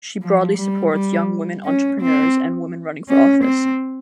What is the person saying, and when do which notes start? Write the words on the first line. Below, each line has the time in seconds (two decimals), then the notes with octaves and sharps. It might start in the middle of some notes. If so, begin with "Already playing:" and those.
She broadly supports young women entrepreneurs and women running for office.
0.22 F3
0.58 G3
0.92 G3
1.65 C#4
2.01 C4
3.08 C#4
3.44 C4